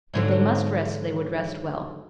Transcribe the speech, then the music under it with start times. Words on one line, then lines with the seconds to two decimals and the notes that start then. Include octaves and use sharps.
If they must rest they would rest well.
0.14 G#2 D3 F#3